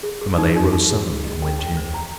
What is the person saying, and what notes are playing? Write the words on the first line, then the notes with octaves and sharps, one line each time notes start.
The Malay rose suddenly and went in.
G#4
G#4
D#4
D#4
D#4
G#4
G#4
D#5
G5
G5
C5
A#5